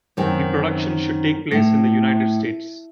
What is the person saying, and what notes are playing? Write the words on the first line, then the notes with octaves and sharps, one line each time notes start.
The production should take place in the United States.
F#2 D#3 C4
A2